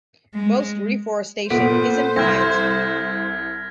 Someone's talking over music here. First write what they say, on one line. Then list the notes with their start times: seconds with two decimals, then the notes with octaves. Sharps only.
Most reforestation is in pines.
0.34 G#3
1.50 A#2 B3 A4 C5 B6 D7
2.16 C2 F6 G#6 A#6